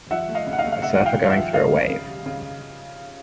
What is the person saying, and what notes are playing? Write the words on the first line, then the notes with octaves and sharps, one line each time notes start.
A surfer going through a wave.
F3 E5 F#5
A3
D#5 F5
C#3
F#5
D#5 F5
A3
F5
C#3 E5 F#5
F3 F#5
F5 G5
C#3
F5
E5 F#5
F3
C#3 D#5 F5
C#3
C#3
G3
C#3